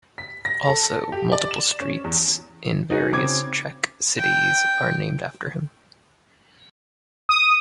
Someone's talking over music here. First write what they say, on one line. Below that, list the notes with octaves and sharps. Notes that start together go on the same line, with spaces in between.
Also multiple streets in various Czech cities are named after him.
B6
A#6
A4
G4
D5
E7
C#4
E2
D#4 F#4 G#4 D#5
C#3 C4 D6 G#6
G5
D#6